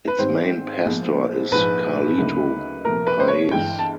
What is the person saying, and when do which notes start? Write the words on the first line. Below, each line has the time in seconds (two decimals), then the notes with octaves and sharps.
Its main pastor is Carlito Paes.
0.08 B4
0.18 G#2 D#3 G3 C4 C5
0.85 A#1 A#2 F3 G#3 B3
1.52 A#1 G#2 F3 B4
2.18 D2 C#3 F#3 A#3 D#4
2.85 C2 A#2 F3 A3 A#4
3.07 B4
3.20 C5
3.28 C#5
3.51 G1 G2 E3 G#3 G5
3.79 A5